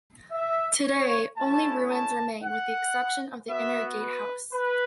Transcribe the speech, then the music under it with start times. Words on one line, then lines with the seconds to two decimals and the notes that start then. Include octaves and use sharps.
Today only ruins remain with the exception of the Inner Gatehouse.
0.32 E5
0.84 C#5
1.37 A3 C#4 E4 A5
1.90 A5
2.43 F#5
3.47 B3 F#4 E5
4.00 B4
4.53 B4